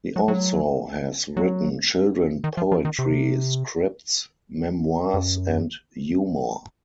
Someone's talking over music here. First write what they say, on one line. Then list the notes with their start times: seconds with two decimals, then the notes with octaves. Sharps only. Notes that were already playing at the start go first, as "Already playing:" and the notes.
He also has written children poetry, scripts, memoirs and humour.
0.16 F#3
0.28 F#3
1.37 F#3
2.44 D#3
2.57 F3
2.72 F3
2.85 D#3
2.99 C3
5.14 F#2